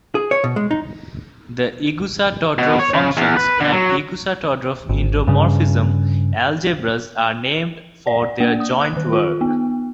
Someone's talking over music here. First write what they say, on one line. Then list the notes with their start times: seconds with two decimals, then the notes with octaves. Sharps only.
The Igusa–Todorov functions and Igusa–Todorov endomorphism algebras are named for their joint work.
0.15 G#4
0.31 C#5
0.44 B2
0.56 G#3
0.71 D#4
2.58 B2
2.79 C#5
2.94 C#3
3.17 E2
3.37 B4
3.60 D3
3.72 F#3
4.89 G#1
5.27 G2 C#3
8.07 D5
8.40 A#3
8.60 D#6
8.81 F#6
8.97 D#3
9.13 F4
9.41 B3